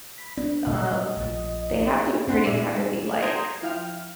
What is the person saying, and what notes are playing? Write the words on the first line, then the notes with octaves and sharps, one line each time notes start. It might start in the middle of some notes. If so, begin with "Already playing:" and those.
Um, they have to pretty, kinda, be like
B5
B3 C4 D4
A#2 G3 D#5
A#1 F3
D#4
C4 D4 G#4 F#5 B5 C6
A#2 G#3 E4 D5 E5
A#5 C6 D#6 G6 G#6 A#6
F3 E4 F5 G5 F6